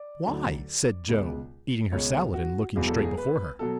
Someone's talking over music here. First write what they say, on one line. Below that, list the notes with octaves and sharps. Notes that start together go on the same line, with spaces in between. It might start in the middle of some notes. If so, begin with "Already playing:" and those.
"Why?" said Joe, eating her salad and looking straight before her.
Already playing: D5
D2 D3 F#3
C#2 B2 G#3
C#2 B2 G#3 C#5
F#4
E1 E2 B2 F#3 G#4
A4
G#4
B4
B2 F#3 A4